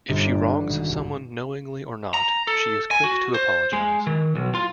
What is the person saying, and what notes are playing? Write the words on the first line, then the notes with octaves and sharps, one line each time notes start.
If she wrongs someone, knowingly or not, she is quick to apologize.
G1
D5
F#4
G#1
C2
A#5
A4
G#5
F#4
C5
G#3
D#3
B1
F4